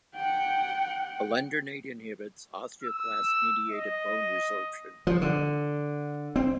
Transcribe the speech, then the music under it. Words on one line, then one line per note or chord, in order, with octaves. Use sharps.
Alendronate inhibits osteoclast-mediated bone-resorption.
F#5 G5
E6
D#5
F3
D3
C4